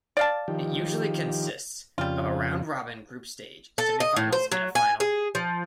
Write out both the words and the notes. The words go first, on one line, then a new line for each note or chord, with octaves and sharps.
It usually consists of a round-robin group stage, semifinals, and a final.
D5 F5 A5
D#3 F3 G4
F2 C#3 G3 F4
A4
D#5
A2
C5
F#3
G#5
G#4
F3